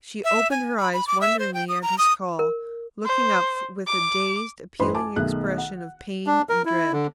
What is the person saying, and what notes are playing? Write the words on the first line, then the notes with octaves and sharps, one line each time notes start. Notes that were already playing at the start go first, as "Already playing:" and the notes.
She opened her eyes wonderingly at his call, looking up with a dazed, appealing expression of pain and dread.
E5
G#5
B5
B5
D6
E5
C5
G5
D#6
A#5
D#6
A#4
C5
D6
A1 F#2 B4 C5 B5 C6
G#5 A5 D6
B1 D#3 A3 G#4 F#6
F#5
D4
A#4
E4
D3